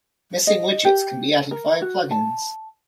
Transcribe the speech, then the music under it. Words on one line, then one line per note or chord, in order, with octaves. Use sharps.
Missing widgets can be added via plugins.
D#5
G4
A#4
F#4
A5